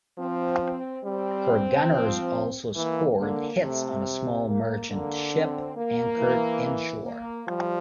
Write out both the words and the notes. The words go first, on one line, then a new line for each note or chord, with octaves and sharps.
Her gunners also scored hits on a small merchant ship anchored inshore.
F3 C4
C4
G3 C4
F3
E3 A#3
D3 A#3
C3 A3
A#3
D3 A#3
C4
A#3
E3
A#3
F3 G3